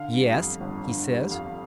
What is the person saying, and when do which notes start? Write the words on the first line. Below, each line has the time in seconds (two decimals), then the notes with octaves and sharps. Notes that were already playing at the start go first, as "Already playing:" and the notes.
"Yes," he says.
Already playing: D3 F5
0.14 G3
0.37 F2
0.60 G1
0.84 D3
1.08 G3
1.31 F2 F5